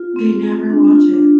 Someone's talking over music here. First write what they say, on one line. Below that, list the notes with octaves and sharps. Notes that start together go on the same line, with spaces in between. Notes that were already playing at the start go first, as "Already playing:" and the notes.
They never watch it.
Already playing: F4
C4
A#3
D4
F4
D4